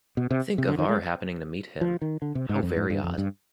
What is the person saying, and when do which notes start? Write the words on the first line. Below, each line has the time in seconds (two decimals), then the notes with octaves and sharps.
Think of our happening to meet him! — How very odd!
0.17 B2
0.31 C3
0.58 C3
0.68 D3
0.79 D#3
0.89 G#3
1.81 F3
2.02 D#3
2.22 D3
2.35 C3
2.49 G#2
2.63 F2
2.77 G#2
2.90 G2
3.03 F2
3.18 G2